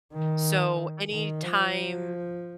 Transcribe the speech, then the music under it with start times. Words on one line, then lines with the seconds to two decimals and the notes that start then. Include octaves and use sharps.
So anytime
0.13 D#3
1.11 D#3
1.42 F3